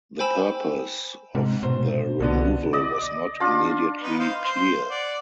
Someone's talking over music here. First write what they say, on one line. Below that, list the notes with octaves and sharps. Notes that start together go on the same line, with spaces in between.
The purpose of the removal was not immediately clear.
C5 G5 G#5 B5 E6 E7
G#2 C3
B2 C5
C2 B2 D3 B3
D5 D#5
D4 F4 A5
B3 D#4 B4
C5 D#5 F5
C5 C6
D5 F#5